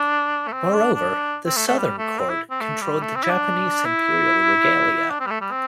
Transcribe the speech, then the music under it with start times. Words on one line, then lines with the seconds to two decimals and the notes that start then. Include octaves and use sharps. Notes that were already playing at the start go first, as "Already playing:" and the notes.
Moreover, the Southern Court controlled the Japanese imperial regalia.
Already playing: D4
0.47 A3
0.53 C4
0.74 D4
0.94 D4
1.46 C4
1.57 A3
1.67 A3
1.78 G3
1.98 A3
2.19 C4
2.29 E4
2.51 C4
2.60 A3
2.81 G3
3.02 A3
3.16 C4
3.23 E4
3.30 D4
3.86 E4
5.10 D4
5.20 C4
5.26 G3
5.31 A3
5.41 G3
5.51 C4